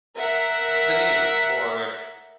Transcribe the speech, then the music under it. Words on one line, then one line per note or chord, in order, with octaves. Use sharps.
the news" or,
A#4 E5 F#5